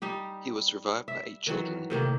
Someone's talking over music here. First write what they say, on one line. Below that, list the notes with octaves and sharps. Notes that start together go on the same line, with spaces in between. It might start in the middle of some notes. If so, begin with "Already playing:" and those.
He was survived by eight children.
G3 D#4 G4
E5
D#3 E3 F#3
A2 C3 D#3 A#3